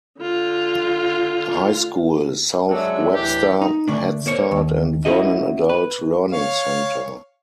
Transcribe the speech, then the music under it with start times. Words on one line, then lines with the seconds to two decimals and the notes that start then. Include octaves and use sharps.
High School, South Webster Headstart, and Vernon Adult Learning Center.
0.21 D3 F4
2.69 F#3 G#3 D4 E5
3.14 D2 A2 E3 D4 G4
3.61 D#4
3.88 D3 A3 D4
4.26 A#3 C5 C#5
4.51 D#2
5.05 C#4 E4 F#4 D#5
5.69 B4
6.32 C#5 F5